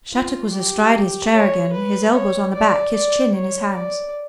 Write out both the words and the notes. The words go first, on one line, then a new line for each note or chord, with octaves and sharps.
Shattuck was astride his chair again, his elbows on the back, his chin in his hands.
F4
G4
C#5
B4
C#5
D5
D5
C#5
D5